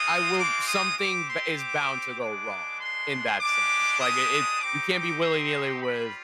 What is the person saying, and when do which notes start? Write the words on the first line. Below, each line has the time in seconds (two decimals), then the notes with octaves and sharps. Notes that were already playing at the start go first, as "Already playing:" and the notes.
"I will" Something b is bound to go wrong in that sense, like, it it you can't be willy-nilly with
Already playing: G#3 C4 F4 D#6
0.38 D6
0.68 D#6
0.98 C4 G4 D6
1.29 C6
1.58 D6
2.19 G#3 B3 D4 D6
2.80 C6
3.40 G#3 D4 G4 D6
4.01 D#6
4.61 C4 D#4 G4 D6
4.92 D6
5.22 C6
5.82 G3 C4 F4 B5